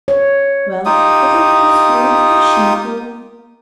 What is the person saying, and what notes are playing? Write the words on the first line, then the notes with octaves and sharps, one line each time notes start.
"Well--whether it was you or she who..."
C#5
D#4 F4 G4 D#6